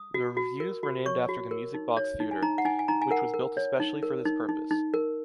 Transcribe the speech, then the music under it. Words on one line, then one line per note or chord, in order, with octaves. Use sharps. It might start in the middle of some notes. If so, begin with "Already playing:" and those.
The revues were named after the Music Box Theatre, which was built especially for this purpose.
Already playing: D#6
F#4
F#4
A#4
F#4
C#5 C#6
F#4
A#4
D#4
C#5
D#4
G#5
D#4 A#5
F#5
D#4 G#5
G#5
D#4 A#5
G#5
A#4 F#5
A#4
C#5
D#4
A#4
D#4
D#4
D#4
A#4